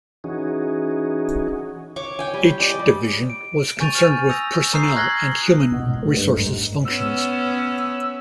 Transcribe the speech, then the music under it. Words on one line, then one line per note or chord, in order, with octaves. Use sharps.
H Division was concerned with Personnel and Human Resources functions.
E3 C#4 D#4 F#4 G#4
C#5 C#6 D6
G5 G#5
G3
D5 D#5 G5
G3
D7
G#5 C#6 G6 A6 D#7 F7
F6 D#7
D#6 E6 G6 A#6 F7
A#5 C#6 D#6 E6 G6 C7
F6 F#6 G#6 A#6 F#7 G7
B2
G#2
A3
G2
G#2
B3 C#4 E6